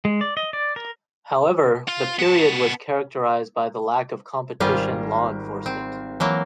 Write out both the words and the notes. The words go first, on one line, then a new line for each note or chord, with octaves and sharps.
However, the period was characterized by the lack of competition law enforcement.
G#3
D5
D#5
D5
A#4
F4
B3 A5
G#1 G3 F4 G#4 A#4 C5
C4
E3 F#3 A#3